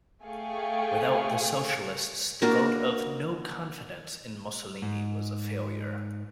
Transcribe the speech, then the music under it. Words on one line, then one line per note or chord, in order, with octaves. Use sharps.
Without the socialists the vote of no 'confidence' in Mussolini was a failure.
A3 G#4 F5 G5 C#6
A#3 D4 F#4 A#4
G#2